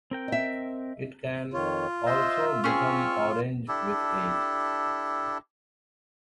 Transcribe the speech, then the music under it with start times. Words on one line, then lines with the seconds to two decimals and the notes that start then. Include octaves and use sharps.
It can also become orange with age.
0.11 C4 A#4 G5
0.28 D#5 E5
1.53 F2 D#3 F4 C#5
2.06 C5 D#5 E5 C6 E6
2.64 C4 C#4 G#4 C#6 E6 F6
3.68 D4 E4 G4 A4